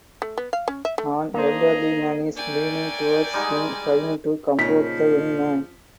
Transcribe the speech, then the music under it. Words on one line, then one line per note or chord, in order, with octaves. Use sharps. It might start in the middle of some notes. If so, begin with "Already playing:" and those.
An elderly man is leaning towards him trying to comfort the young man.
A3
B3
F5
C#4
E5
A3
A#3 D4 G#4 C5 D#5 A#5
A3 A#4 D5 G5 G#5
G3 G#3 D#4
A#2 C#3 F3 D#4 B6